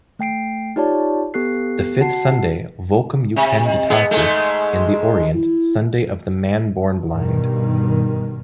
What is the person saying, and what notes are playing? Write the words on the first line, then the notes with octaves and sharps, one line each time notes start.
The fifth Sunday, "Vocem jucunditatis" in the Orient, Sunday of the Man Born Blind.
A3 G5 C7 D7
D#4 F4 G4 C#5 D5 A5
B3 G4 A4 F#6 C7
F#4 F#5 A5 C7
C3 E5
D#5
B3 G#4
G#2 G#3 A3
E4
G2 B2 D#3